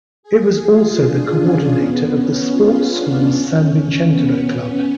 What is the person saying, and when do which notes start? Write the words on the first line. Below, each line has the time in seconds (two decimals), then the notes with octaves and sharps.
It was also the Coordinator of the sports schools sanvicentero club.
0.23 G#4
0.61 F4
1.00 D4
1.37 C#4
1.75 B3
2.13 C#4
2.51 F4
2.89 D4
3.27 C#4
3.64 C#4
4.03 B3
4.40 C#4